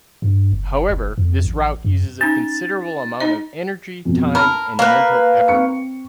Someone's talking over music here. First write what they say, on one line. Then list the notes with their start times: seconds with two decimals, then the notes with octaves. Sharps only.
However, this route uses a considerable amount of energy, time, and mental effort.
0.22 G2
0.53 F#1
0.90 F#1
1.18 F2
1.45 A1
1.85 F#2
2.21 C#4 D#4 A6
3.20 D#4 D#5
4.05 F2 B2
4.35 A#4 A5 B5
4.79 A#3 B4
5.48 C4 C#6 C#7